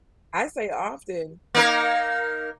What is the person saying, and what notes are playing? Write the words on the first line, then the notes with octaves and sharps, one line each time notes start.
I say often
A#3 D#4 A#4